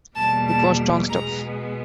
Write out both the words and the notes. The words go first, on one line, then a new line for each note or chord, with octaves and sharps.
It was strong stuff.
E2 B2 G3 A#3 A5
A5
B2 G#3 B3 A#5